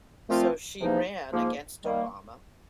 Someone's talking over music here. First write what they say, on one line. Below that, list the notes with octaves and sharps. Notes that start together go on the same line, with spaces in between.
So she ran against Obama.
A#2 F3 A3 C4 F4
E2 C3 F3 A#3 D#4
G#2 F3 A#3
D#3 G3 A#3